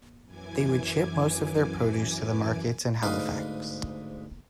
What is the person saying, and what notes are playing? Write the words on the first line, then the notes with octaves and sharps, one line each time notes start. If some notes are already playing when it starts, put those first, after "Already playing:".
They would ship most of their produce to the markets in Halifax.
F#2 E3 G#5 D6 G#6
D2 G#2 D#4 B4 D#5 F5